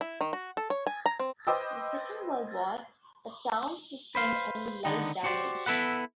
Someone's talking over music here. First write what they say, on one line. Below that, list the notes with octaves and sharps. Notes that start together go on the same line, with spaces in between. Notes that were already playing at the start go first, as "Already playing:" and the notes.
In the Second World War, the town sustained only light damage.
E4
D#3
F#4
A4
C#5
G#5
A#5
C4
B4 C5 D#5 G5 D6 E6
B4 C5 F5
D3 D#3 B3 D#4
F#4 G4 C5 D5
B3 E4 A4 B4 F#5